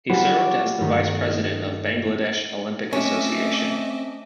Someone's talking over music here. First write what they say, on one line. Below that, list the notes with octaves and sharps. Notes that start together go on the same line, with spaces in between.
He served as the Vice President of Bangladesh Olympic Association.
G3 F4 F#4 G#4 B4 C5
C#5 D6
G2 D#3 A3 D#6
D#5
A3 C4 C#4 D#5 E5 D6